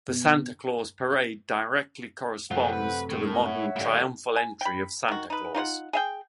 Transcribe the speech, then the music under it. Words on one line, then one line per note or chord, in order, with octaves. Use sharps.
The Santa Claus parade directly corresponds to the modern "triumphal entry" of Santa Claus.
B2
F#2 C3 A3 F4 G#4 C5 F#5
B4
A2 D3 D#3
D4 A#4
C#5 E5 F#5
A2 D3 A#3 G4
G#5
G5 B5
D#3 F#4
D#4 B4
D#4 F4 C5 F#5
G#4 E5 G5